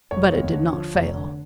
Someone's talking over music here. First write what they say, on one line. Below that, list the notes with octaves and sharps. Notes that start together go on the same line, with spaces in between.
But it did not fail.
F1 C#5
D#2
D3
F3
F1
D3